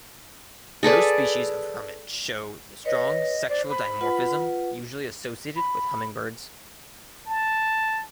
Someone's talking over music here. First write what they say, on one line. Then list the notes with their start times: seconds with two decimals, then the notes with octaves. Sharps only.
No species of hermit show the strong sexual dimorphism usually associated with hummingbirds.
0.83 G#4 A4 B4 D5
2.85 B4 C#5 D#5
3.49 C5 D5
3.70 B5
4.01 F4 B4 F#5
5.56 B5
7.27 A5